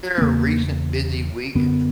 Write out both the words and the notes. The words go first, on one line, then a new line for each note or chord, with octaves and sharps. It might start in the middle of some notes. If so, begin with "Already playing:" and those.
There a recent busy week
B3
E2 C#3 A#3
F#2 D3 B3